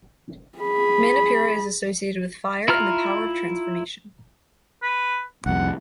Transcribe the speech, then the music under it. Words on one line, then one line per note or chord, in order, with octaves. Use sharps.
Manipura is associated with fire and the power of transformation.
G#4 B5
E4 F4 A#5 F6
B4
C2 F2 F#5